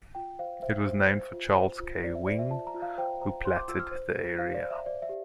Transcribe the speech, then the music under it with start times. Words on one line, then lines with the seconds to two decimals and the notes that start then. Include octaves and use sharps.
It was named for Charles K. Wing, who platted the area.
0.15 F4 G5
0.39 C5 F5
0.62 C5 E5
0.86 C5
1.10 C5
1.33 F4
1.56 C5
1.80 F4
2.04 C5 D5
2.15 E5
2.27 C5 D5
2.39 E5
2.50 F4 A5
2.67 A#5
2.74 F4
2.82 F5
2.98 C5 G5
3.21 C5 A#5
3.44 C5 C6
3.56 D6
3.68 F4 E6
3.80 F6
3.91 C5
4.16 C5
4.38 C5 F5
4.54 D5
4.63 C5
4.70 E5
4.86 C5 D5
5.02 E5
5.09 G4